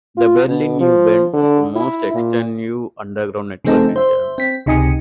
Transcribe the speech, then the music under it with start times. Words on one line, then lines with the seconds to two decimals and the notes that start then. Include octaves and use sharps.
The Berlin U-Bahn is the most extensive underground network in Germany.
0.17 F4
0.48 B2
0.80 F3
1.33 D3
1.76 E4
2.14 A#2
3.65 C#3 F3 A3 C4 D#4 A4
3.96 C5 E5
4.38 C4 B6
4.66 C#2 C3 D#4 G#5 D#6 C#7